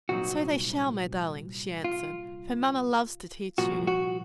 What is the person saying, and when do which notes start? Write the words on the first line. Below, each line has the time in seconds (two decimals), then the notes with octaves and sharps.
"So they shall, my darlings," she answered, "for mamma loves to teach you."
0.09 C2 A#2 F#3 C4 D#4 F#4
1.84 F4
3.58 C2 A#2 F3 F#4
3.87 F#4